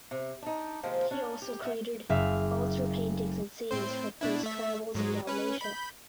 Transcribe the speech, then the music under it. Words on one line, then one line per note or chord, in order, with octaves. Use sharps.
He also created altar paintings and scenes from his travels in Dalmatia.
C3
D4 D#4
C3 D#3 F3 G#3 A#3 C4
C#4 D4
G4
A3 B3 E5
F#1 E5 F5
A2 C4 C5
B2 D4 E4
A3 E5
G#2 F#3 G#3
C#4 B4
B5 G6